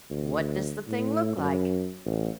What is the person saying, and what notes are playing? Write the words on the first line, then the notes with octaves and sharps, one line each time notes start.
"What does the thing look like?"
D2
A2
F#2
A1